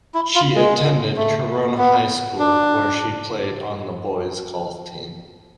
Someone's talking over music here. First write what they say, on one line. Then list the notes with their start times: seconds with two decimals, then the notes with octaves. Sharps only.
She attended Corona High School where she played on the boys' golf team.
0.15 E4
0.35 F4
0.55 G#3
1.17 A3
1.78 B3
2.39 D4